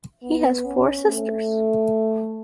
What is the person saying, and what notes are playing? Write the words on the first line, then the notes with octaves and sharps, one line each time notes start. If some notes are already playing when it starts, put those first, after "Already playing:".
He has four sisters.
B3
C#4
A3